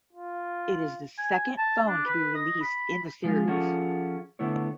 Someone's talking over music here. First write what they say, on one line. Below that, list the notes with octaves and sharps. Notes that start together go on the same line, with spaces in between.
It is the second phone to be released in the series.
F4
G#5
A5
D4
B4
D#5
B5
F3 G#3 F4
F3 C#4 F4 F#4 G#4 A4
D3 A3 B3 E4 C#5